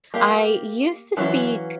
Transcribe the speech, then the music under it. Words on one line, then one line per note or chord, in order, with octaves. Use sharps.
I used to speak
A#3 G4 F5
E3 F#3 C#4 E4 F4